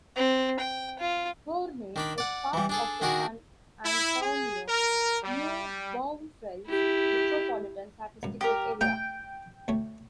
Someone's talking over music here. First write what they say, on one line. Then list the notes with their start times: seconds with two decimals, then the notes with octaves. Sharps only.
Boerne is part of the San Antonio-New Braunfels Metropolitan Statistical Area.
0.16 C4
0.60 G5
1.00 F4
1.96 D#3 D4 B5
2.18 D5 F#5
2.53 E3 G3
2.69 D4 G#4 A4
3.02 D#3 D4 F#4 G#4 A#4
3.85 E4
4.21 G#4
4.68 A#4
5.24 G3
6.68 E4 G4
8.23 C#2 F#2
8.41 G4 A#4
8.81 A3 D#4 G5
9.68 D2 A3 C#5